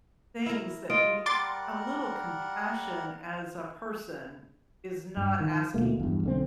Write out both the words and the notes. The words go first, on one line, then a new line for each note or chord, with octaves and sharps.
things that you a little compassion as a person is not asking
E4 A#4
F4 D#5 D7
G3 A#4 F#5 C6 D6 A6
G2
D#3
D2 B2 A3 A#3
E2 G2
B1 D3 C4